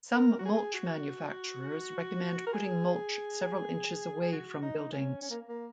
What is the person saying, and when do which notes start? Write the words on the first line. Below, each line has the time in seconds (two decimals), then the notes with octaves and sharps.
Some mulch manufacturers recommend putting mulch several inches away from buildings.
0.15 A#4
0.39 F#4
0.45 G#4
0.74 F#4
2.47 A#4
2.53 G#4
4.21 G#4
4.32 F#4
4.62 D#4
4.92 C#4
5.22 C#4
5.30 A#3
5.48 A#3